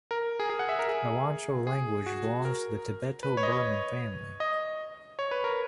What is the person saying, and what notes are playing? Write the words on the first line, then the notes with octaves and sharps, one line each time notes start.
The Wancho language belongs to the Tibeto-Burman family.
A#4
G#4
G#4
F#5
E5
A#4
G#4
G#4
F#4
A#4
B4
C#5
D#5
C#5
D#5
C#5
B4
A#4